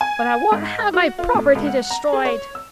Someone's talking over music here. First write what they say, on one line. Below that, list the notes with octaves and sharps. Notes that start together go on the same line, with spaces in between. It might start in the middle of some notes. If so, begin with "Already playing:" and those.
"But I won't have my property destroyed."
G#5
G#2
F#4
F4
A2
C#2
F#5
A#5
G#4
C#5
E6